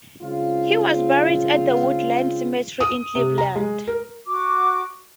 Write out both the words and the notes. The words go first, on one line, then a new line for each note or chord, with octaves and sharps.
He was buried at the Woodland Cemetery in Cleveland.
G#2 C#3 C4 F4
D#6
C3
A#5
G#3
A#4
F#4 D6